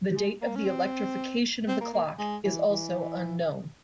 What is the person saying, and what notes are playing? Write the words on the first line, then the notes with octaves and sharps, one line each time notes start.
The date of the electrification of the clock is also unknown.
G#3
A#3
C#4
C4
C4
A#3
A#3
G#3
E3
E3